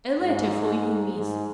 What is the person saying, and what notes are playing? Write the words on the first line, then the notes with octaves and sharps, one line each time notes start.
A letter for you, Miss.
G#2
G#2